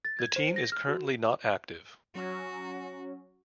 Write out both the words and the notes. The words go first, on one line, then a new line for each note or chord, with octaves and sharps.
The team is currently not active.
A6
G#6
C5
A#6
F6
F#4
F#3 C#4 F#4